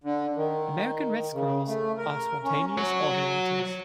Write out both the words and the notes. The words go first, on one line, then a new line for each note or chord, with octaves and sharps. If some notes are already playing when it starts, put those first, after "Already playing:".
American red squirrels are spontaneous ovulators.
D3
D#3
C#3
A3
A#4
C#4
F#4 C#5